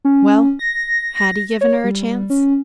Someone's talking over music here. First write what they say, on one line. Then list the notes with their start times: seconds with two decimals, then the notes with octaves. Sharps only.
Well, had he given her a chance?
0.05 C#4
0.59 A#6
1.61 C#5
1.84 G3
2.30 C#4